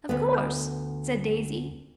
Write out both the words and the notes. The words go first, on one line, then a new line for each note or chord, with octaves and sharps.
"Of course!" said Daisy.
D2 B3